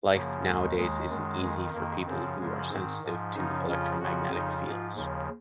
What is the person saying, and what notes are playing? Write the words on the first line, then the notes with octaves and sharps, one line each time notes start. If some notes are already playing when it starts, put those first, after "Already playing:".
Life nowadays isn’t easy for people who are sensitive to electromagnetic fields.
F#2 C#3 F3 A#3
D#2 D#3 G#3
D#2 D#3 G#3
F#2 D#3 G#3
F2 D#3
F2 D#3 A#3
F#2 C#3 F3 C4
F#2 C#3 F3 G#3
G#2 D#3 C4
G#2 F3
F#2 C#3 F3 D#4
F2 C#3 F3 F4
F2 C#3 F3 F#4
F2 C#3 F3 D#4
G#2 F3 F4
D#2 C#3 F3